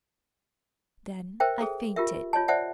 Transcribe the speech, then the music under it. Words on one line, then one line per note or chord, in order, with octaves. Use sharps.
Then I fainted.
A#4 C5 E5 G5
G#4 A4
F4 G4 A#4 E5
F4 C#5 D#5 A5
C5 D5 E5 F#5 A5